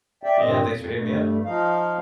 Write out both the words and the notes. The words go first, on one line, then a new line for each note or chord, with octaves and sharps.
Yeah, thanks for hearing me out.
D5 E5 G5
G2 A#2 C4 D#5
F2
G2 A3
F3 D#4 F5